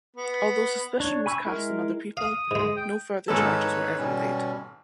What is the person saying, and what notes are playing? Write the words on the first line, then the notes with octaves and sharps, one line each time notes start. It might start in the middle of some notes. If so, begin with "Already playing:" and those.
Although suspicion was cast on other people, no further charges were ever laid.
B3
D4 C#5
G#5 B5 C#6 E6
G#3 E4 A#4
F5 D#6
G#2 G#3
G5
G#1 G#3 D#4 A4 B4 C#5
B2 G3 C#4